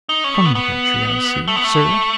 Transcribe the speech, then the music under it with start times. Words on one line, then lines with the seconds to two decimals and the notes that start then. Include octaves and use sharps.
'From the country, I see, sir?'
0.09 D#4
0.24 C#4
0.34 A3
0.45 B3
0.55 B3
1.48 A3
1.56 B3
1.64 A3